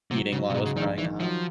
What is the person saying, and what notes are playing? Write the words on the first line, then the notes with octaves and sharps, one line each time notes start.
eating while I was growing up."
C3 F#3
C#3 F#3
C3
G#2 B2
C#3
A#1 D#3
D#3 E3
F3 F#3